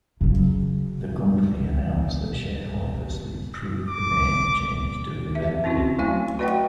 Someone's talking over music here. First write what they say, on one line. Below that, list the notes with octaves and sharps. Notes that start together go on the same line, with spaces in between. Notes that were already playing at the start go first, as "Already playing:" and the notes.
The company announced that shareholders had approved the name change to "Vivendi".
C#3 F#3
D6
E5
C4 C#4 E4 F#4
F#3 A3 E4 G#5
F#4 B4 D5 D#5 F#5 G5